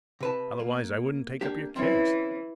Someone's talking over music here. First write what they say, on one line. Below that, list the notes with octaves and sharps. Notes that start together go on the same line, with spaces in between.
Otherwise, I wouldn't take up your case.
C3 B4 A5
A#3
A#3 D4 G4
E3 C4 C#4 C#5